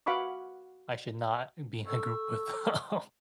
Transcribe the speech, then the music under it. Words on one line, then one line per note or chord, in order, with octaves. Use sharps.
I should not be in a group with them.
F#4 F5 F#5 B5 C#6 D6
A4 C#6 E6